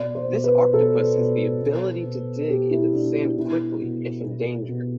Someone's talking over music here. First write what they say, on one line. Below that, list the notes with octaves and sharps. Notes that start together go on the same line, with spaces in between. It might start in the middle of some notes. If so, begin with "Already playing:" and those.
This octopus has the ability to dig into the sand quickly if in danger.
Already playing: B2 D5
C5
B2
B4
B2 A4
B2
B2
B2
B2 G4
E4
B2 D4
E4
B2 E4
B2
B2
B2